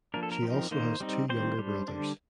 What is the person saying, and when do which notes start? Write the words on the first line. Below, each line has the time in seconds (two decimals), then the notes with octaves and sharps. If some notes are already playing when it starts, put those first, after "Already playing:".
She also has two younger brothers.
0.14 F3 A#3 D4 A#4
0.23 A4
0.32 A#4
0.42 F3 C4 D#4
0.71 D#3 A#3 D#4 C5
1.00 G3 C4 D#4
1.30 D#3 G3 C4 C5
1.59 G3 D4
1.88 D3 G3 D4